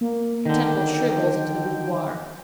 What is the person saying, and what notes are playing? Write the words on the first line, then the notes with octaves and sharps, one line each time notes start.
The temple shrivels into the boudoir.
A#3
D3 D#3 G5